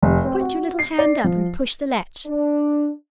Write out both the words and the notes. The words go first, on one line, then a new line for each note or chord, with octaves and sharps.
Put your little hand up and push the latch.
F1
C4
F#4
C7
D5
F3
D4